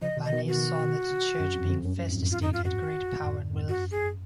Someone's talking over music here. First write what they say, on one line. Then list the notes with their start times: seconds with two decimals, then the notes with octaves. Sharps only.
Barnave saw that the Church, being first estate, had great power and wealth.
0.02 C#3 F3 D#5
0.17 B2 D#3
0.25 D#5
0.32 B2 D#3
0.48 F#4
1.39 F#2
1.55 F2
1.70 F2
1.85 F#2
1.97 F#2
2.07 F2 G#2
2.31 F4
2.42 D#4
2.53 F4
2.65 F#4
3.22 F2 G#2
3.52 F2 G#2
3.69 F#2 F#4
3.91 G#4